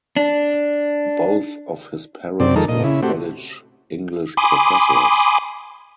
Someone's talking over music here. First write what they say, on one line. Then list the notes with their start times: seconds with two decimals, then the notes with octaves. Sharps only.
Both of his parents were college English professors.
0.16 D4
2.40 F#2 C3 C4 D5
2.56 F2 D#3 G#3 D#4 A4 A#4
2.68 A#2 D#5
2.84 C#3 E4
3.03 A3 C4 F#4 G4
4.37 G#5 B5 C6 D6 D#6